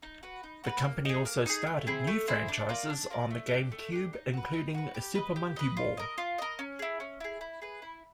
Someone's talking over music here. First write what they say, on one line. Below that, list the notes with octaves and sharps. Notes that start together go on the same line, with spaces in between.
The company also started new franchises on the GameCube including "Super Monkey Ball".
D#4
F#4 B4
D#4
F#4 B4
A#3
D#4 G#4
A#3
D#4 G#4
A3
C4 E4 G#4
A3
C4 E4 G#4
D4
F4 A#4 D5
D4
F4 A#4 D5
A3
D4 G4
A3
D4 G4
D#4
F#4 B4
D#4
F#4 B4
G4
B4 D#5
G4
B4 D#5
F4
A#4 D#5
F4
A#4 D#5
C#4
E4 G#4
C#4
E4 G#4
E4
G#4 B4
E4